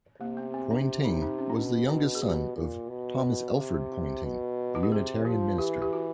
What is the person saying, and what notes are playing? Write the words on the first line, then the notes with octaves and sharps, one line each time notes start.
Poynting was the youngest son of Thomas Elford Poynting, a Unitarian minister.
C3 A#3
B3
C4
D4
D#4
D#4
C#4
D4
B2 C#4
D4
G#4
B2 G4
A#2
B2
C3
B2
F#4
G4
C3 G#4
F3 G4
E3 G4
G4
F#4